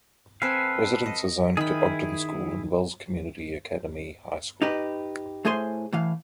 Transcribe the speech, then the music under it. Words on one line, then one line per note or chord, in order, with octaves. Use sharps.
Residents are zoned to Ogden School and Wells Community Academy High School.
C4 A4 B4 F5 G#5
D#5
D#3 E4 G#4 B5
D#4 G4 B4
A2 A3 G#4 C5 G#5 C6
A2 E3 F5